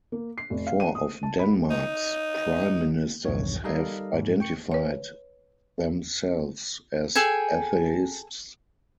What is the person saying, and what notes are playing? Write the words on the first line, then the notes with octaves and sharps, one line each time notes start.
Four of Denmark's prime ministers have identified themselves as atheists.
A#3
C7
F1
F5
D#7
D#6
A5
B5
D#4
B1 E2 G2 D#3 C#5
G3 D#4 A4 A#4 D#5 F5
G#2
G5 C#6 C#7
B4 C#5
G#4 A4 G5 G#5